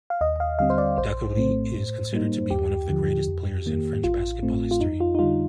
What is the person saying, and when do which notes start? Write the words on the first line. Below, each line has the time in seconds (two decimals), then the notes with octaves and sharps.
Dacoury is considered to be one the greatest players in French basketball history.
0.10 F5
0.21 D#2 D#5
0.40 F5
0.59 D3 G3 C4 F5
0.70 C5
0.78 D5
0.98 A#1 C5
1.36 A2 A3 C4
1.74 A2
2.13 G3 A#3 D#4
2.50 D#2 G4
2.89 D3 F3
3.28 F2
3.66 D#3 A#3
4.04 A1 F4
4.43 A2 A3 C4
4.71 F4
4.81 F2 D#4
5.00 F4
5.15 D#4
5.19 D3 G3 F4